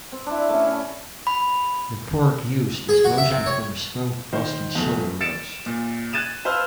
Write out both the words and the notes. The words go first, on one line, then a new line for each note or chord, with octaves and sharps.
The pork used is mostly from a smoked Boston shoulder roast.
C4
D4 E4
A3 C#4
C#4
B5
G#4
F#4
E5
C3
C#5
D#3 C5
E2 F3 A3
A6 C#7 D7 E7
A#2
F#6 G#6 A6 D#7 E7
B4 C5 F5 A5 E6 F6